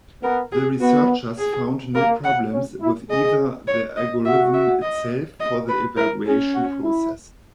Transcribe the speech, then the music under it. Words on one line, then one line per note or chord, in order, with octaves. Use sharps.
The researchers found no problems with either the algorithm itself or the evaluation process.
B3 A#4
G#4
B3 F#4
G#4
A#3 A#4
F#5
C#4
E4
G#4 D#5
C#5
D#5
F#4 E5
E5
D#5
D#5
B4
E4 A#4
C#4 G#4
F#4
E4